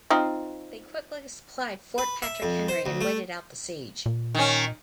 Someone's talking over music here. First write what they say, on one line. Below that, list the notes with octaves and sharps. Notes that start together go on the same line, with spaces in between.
They quickly supplied Fort Patrick Henry and waited out the siege.
C4 D#4 F4
B4
E5
F2
C5
D2
A3
A#2
D#3 C#4